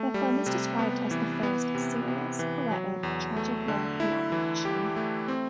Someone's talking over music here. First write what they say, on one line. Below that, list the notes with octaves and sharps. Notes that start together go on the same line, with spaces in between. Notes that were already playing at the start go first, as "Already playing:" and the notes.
The film is described as the first serious, poetic, tragic work in animation.
Already playing: A3
G3
C3
B3
E3
B3
C3
C3
E3
F#3
E2
A3
D3
E4
E3
G4
A3
C4